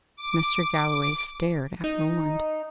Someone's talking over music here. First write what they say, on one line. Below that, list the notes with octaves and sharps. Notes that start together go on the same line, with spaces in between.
Mr. Galloway stared at Roland.
D6
D#4